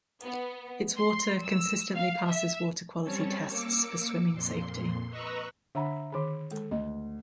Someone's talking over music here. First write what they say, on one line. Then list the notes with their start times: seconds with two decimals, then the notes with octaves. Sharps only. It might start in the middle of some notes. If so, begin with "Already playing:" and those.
Its water consistently passes water quality tests for swimming safety.
0.22 B3
0.95 C6
1.44 E6
1.94 F5
2.28 E5
3.04 G3 C4 C#4 C#5 A5
3.47 A#3 D6 E6 C#7
4.30 F2 A#2 C6
5.10 B4 D#5 A#5 C#6 E6 F#6
5.75 D3 D4 E5 F#5 A#5 B5
6.12 D#3 G#4 B5 D6
6.51 G#3 A4
6.71 D2 D#5